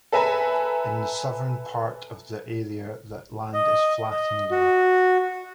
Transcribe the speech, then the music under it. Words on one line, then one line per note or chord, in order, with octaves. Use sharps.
In the southern part of the area the land is flat and low.
A4 B4 E5 G#5 A#5 B5
D#5
D#5
F#4